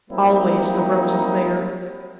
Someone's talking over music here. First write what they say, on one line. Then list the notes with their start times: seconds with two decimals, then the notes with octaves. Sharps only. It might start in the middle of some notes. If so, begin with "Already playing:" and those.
Always the rose is there.
0.11 F#3 G3 A#3 C4 D#4 E4